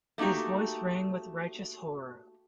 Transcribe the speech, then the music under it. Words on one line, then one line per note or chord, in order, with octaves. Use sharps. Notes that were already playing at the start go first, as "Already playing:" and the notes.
His voice rang with righteous horror.
A3 A#3 D#4 F#4 G4